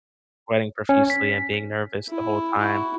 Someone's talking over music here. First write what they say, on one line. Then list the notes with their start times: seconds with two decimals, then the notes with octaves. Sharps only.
sweating profusely and being nervous the whole time,
0.89 C#4
1.10 B6
2.10 E4
2.58 E4 F#4